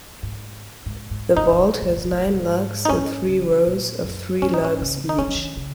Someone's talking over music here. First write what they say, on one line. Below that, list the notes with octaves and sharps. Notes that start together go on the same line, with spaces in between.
The bolt has nine lugs in three rows of three lugs each.
G#2
G#2
G#2
G#2 D#4
A#2
G#2
A#2
G#2
A#2
G#2
A#2
G#2
A#2
G#2
A#2
G#2
A#2
G#2
D#4
G#2 C#4
C#3
A#2
F#2
G#2 C#4
D#4
C#4
C#3
D#4
D#3 C#4
F#3
D#3
C#3